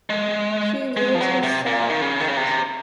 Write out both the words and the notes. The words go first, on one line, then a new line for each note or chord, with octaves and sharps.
She ruled herself out.
G#3
G#3
F3
F#3
C3
A#2
D#3
C#3
D#3
C#3
C3